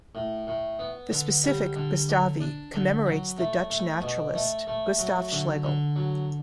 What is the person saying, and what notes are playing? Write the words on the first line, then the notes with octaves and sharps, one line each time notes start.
The specific "gustavi" commemorates the Dutch naturalist Gustaaf Schlegel.
A2
A2
B3
D3
G3
D3
D3
D4
D3
F#3
A3
A3
B2
A3
A3
F#3
D3
D3
F#3